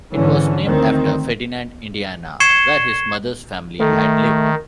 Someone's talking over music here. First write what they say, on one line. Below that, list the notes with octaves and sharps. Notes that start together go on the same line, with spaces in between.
It was named after Ferdinand, Indiana, where his mother's family had lived.
G#2 D3 E3 C#4
D2 D#3 C4
C#6 G#6 C7 C#7 E7 G7
D#3 A3